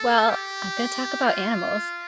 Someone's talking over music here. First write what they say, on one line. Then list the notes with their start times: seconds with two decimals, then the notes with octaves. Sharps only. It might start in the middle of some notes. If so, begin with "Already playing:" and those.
Well, I'm gonna talk about animals.
Already playing: A4
0.29 G4
1.26 F4